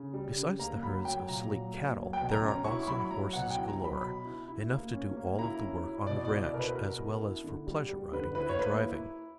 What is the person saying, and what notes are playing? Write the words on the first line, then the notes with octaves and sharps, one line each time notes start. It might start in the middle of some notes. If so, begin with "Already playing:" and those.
Besides the herds of sleek cattle, there are also horses galore, enough to do all of the work on the ranch as well as for pleasure riding and driving.
Already playing: C#3
G3
C#3
A#3 A#5
F#3 B5
F#3 G5
A#2 A#5
F#3
A#3
F#3
G5
B2
A#5
C#4
A#5
E4 C#6
C#6
F#3 B5
F#3 A#5
B2 F#5
G5
E4
A#5
F#3 B5
B2 B5
E4
E4
A#3
C#4
A#3
E4 A#5
C#4
E4
B2 D5
D5
E4
D5
B2 A#4
B4
B2 A#4
E4
E4
D3
G3
G3
D3 B4
E4 B4
C#5
A#3 B4
E4